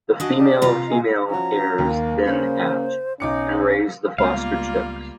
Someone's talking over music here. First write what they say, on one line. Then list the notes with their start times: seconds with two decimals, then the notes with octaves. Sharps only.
The female-female pairs then hatch and raise the foster-chicks.
0.20 D4 F#4 D#5 G#5
0.38 G4 G#4 D5
0.62 C3 F4 A#5
0.87 G#4 D#5 E5
1.29 F3 C#4 F#4 A#5
1.78 D#2 A#3
2.26 C#3 A#3 C#4 C5
3.20 B1 C#4 D#4 D6 C#7
4.18 C#2 G3 G#3 A#3 B3 F4 F5